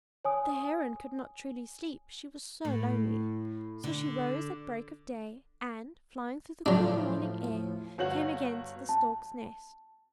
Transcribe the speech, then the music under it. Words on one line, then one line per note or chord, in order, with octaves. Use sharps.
But the Heron could not truly sleep, she was so lonely. So she rose at break of day, and, flying through the cool morning air, came again to the Stork's nest.
C#5 G#5 D#6
A2
D3
A2 F3 F#3 D4
G1 F#4 C#5 F#5 F#7
A5